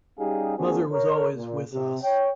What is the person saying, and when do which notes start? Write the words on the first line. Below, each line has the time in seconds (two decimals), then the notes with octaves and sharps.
Mother was always with us...
0.20 G3 C#4 D#4 G4 G#4 F5
0.58 A#3 C4 D4 F#4 G#4
0.93 A#4 C#5
1.37 A#2
1.74 C3
2.03 C#5 G5